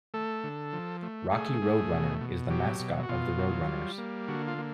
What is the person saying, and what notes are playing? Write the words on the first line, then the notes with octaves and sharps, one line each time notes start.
Rocky RoadRunner is the mascot of the RoadRunners.
A3 A4
D3
F3
A3
A3 G#4
A3
B2
B2
F#3 G4
B2
F#4
B2 F4
F#3
G3
A#3
D3 F#4
F4
A#3